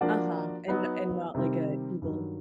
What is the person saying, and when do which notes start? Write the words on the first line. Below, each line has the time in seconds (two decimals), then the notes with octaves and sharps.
Uh-huh, and and not like an evil
0.01 F3 A#3 D4 F#4
0.68 F#3 B3 D#4
1.34 C3 D#3 G3 C4
2.02 G2 D#3 F#3